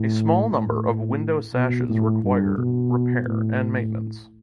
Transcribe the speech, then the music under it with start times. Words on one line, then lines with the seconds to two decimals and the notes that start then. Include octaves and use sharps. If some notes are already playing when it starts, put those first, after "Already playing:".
A small number of the window sashes require repair and maintenance.
Already playing: A2
0.51 A2
1.54 B2
1.89 A2
2.24 G2
2.58 B2
3.27 A2